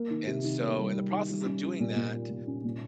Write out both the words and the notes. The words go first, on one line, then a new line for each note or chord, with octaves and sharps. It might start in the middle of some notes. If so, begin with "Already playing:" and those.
And, so, in the process of doing that,
Already playing: A#3
D#3
C3
D#3
A#3
G3
C3
D#3
G3
C#4
C#4
A#2
A#2
F4
A#2
C#4
A#2